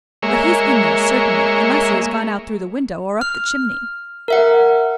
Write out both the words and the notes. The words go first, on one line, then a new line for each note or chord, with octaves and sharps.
"But he's in there certainly, unless he has gone out through the window, or up the chimney."
G#3 A#3 C#5 E5
F6
A#4 E5 F#5